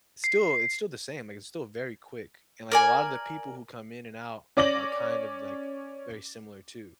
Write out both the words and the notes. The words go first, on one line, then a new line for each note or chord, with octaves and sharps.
still it's still the same, like, it's still very quick, and, like, a lotta the people who come in and out are kind of, like, very similar, too.
C7
A#4 D5 G#5
C#4 D5 D6 A#6 F#7